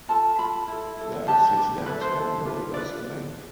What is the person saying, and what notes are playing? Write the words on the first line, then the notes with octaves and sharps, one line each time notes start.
There are six dams along the river's length.
F4 A4 A5
F4 A4 B5
E4 A4
E4 A4
D4 G4 B4 A5
D4 G4 B4
E4 A4 B4
C5
E4 A4
D4 F4 B4
D4 F4 B4 D5